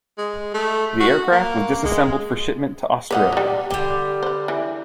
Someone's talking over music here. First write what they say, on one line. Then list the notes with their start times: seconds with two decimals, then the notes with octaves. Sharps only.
The aircraft was disassembled for shipment to Australia.
0.18 G#3
0.54 A3
1.00 F#4
1.32 A#3
1.84 G#3
3.11 A#2 D#4 B4 D5 F#5
3.32 F#3 G3
3.70 D3 G3 G4
4.23 B4 C5
4.48 E3